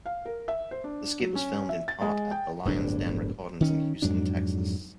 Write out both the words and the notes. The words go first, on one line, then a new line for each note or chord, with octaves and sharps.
The skit was filmed in part at The Lion's Den Recordings in Houston, Texas.
F5
A#4
E5
C5
D4
F#3
C#4
E5
A6
G#3
G5
D1 G1 G2 D4
D#3 C#4
F2 G#2 F#3 D4